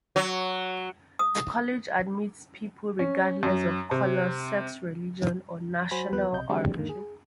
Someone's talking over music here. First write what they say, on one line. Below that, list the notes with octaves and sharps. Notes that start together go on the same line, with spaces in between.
The College admits people regardless of color, sex, religion, or national origin.
F#3
D#6
C#4
F#2
C3
F#3 F#4 C5 G#5 B5
D#2 F3 G3 B3 B4 F#6
B1 C3 D#5 G6
D3 F#3 G#3 C4 D4 G4
E2 G#2 D3 D#3 A#3
G#4